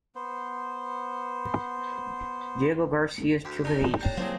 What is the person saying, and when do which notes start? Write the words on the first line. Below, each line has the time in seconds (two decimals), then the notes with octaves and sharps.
Diego Garcia is to the east.
0.15 B3 C5
3.45 D2 G4
3.65 D#4 A#4 D5 A5 A#6
4.01 C#5 G5 A5 A#5 G6
4.17 C3 F#3 A3 A#3 C4 E4 G#4 F5